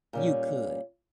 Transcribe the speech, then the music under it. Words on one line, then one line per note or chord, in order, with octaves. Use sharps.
You could.
A#2 G3 C#4